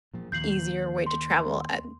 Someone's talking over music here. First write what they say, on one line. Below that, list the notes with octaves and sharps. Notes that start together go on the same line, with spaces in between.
easier way to travel at
A#2 F3
D#2 G6 C7 F#7
C6